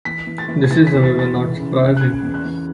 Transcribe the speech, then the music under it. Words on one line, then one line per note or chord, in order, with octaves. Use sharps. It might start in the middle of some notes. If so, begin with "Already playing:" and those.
This is, however, not surprising.
E3 B6
E3
A6
E3
G#6
E3 A6
B6
E2
A6
E3 A6
E3
C#3
E3
F#6
C#3 G#6
E2
F#6
E3